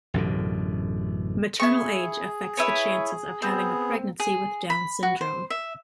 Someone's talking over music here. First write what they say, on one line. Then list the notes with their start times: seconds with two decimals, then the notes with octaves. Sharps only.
Maternal age affects the chances of having a pregnancy with Down syndrome.
0.14 A1 F#2 B2 D3
1.60 E4 G#4 G#5 C#6
2.57 E4 B4 C#5
3.42 B3 C4 G#4
4.20 G#4
4.70 B5
5.03 F#4
5.21 C5
5.50 E5